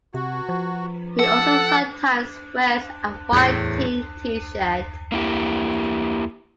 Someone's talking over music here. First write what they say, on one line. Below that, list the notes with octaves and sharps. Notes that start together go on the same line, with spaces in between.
He also sometimes wears a white team T-shirt.
C3 F#4
F3
A4 F#5 E6
E2 A2
A#3 E4 G4